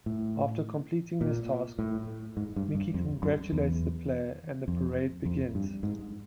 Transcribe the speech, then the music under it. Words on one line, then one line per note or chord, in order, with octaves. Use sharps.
After completing this task, Mickey congratulates the player and the parade begins.
A2
A#2
A2
G#2
G2
G2
F2
F#2
E2
F2
F2
G2
G#2